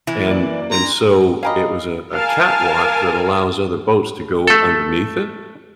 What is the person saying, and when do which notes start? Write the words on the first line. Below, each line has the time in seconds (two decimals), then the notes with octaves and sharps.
and and so, it was a a catwalk that allows other boats to go underneath it,
0.07 E3 E4
0.28 A#3 D5
0.72 D4 A#5 C6
1.43 C#4 G4 D#5 F5 A#5 B5
2.13 A#4 F5 G#5 A5
4.47 A3 A4